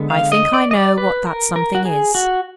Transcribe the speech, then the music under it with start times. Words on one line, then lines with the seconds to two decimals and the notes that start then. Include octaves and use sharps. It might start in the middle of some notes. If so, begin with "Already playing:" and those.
I think I know what that something is.
Already playing: D3 G#3 B3
0.10 F5
0.32 D#5
0.53 D5
0.71 D#5
0.75 D5
0.98 B4
1.27 A#4
1.56 A#4
1.75 F#4
1.85 G#4
2.15 F#4